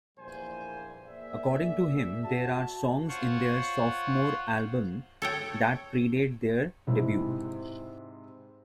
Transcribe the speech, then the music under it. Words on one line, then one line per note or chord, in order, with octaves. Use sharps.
According to him there are songs in their sophomore album that pre-date their debut.
A#1 E2 A#2 G3 C5 G#5
A#3 G#4 D5 E5
F#4 A5
F4 C5 C#5 F#5
A4 C#5 G5
G#2 C3 G#3 C4 E4